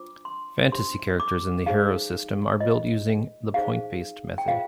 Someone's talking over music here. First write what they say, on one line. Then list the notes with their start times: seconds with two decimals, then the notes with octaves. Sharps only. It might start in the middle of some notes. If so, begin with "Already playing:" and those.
Fantasy characters in the Hero system are built using the point-based method.
Already playing: D4 F4 C5 D6
0.25 C6
0.72 D4 G4 C5 C6
1.20 D6
1.66 D#4 G#4 C5 F5
2.60 F4 C5 D#5
3.54 D#4 G#4 C5 F5
4.38 G5
4.48 F4 G#4 C5 F5